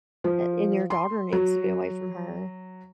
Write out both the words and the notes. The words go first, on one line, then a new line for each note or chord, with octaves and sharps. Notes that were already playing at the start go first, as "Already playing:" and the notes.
a and your daughter needs to be away from her.
F3
C6
F#3